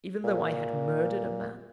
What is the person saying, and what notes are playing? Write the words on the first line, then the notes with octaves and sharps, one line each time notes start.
Even though I had murdered a man?
A#2